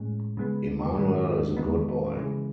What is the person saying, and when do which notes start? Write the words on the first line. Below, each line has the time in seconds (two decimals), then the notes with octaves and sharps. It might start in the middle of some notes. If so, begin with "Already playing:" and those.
Immanuel is a good boy.
Already playing: A2 G#3 C#4
0.37 C#3 G#3 B3
0.97 G#2 D#3 G#3
1.57 E2 D#3 G#3 B3
2.17 C#3 E3 G#3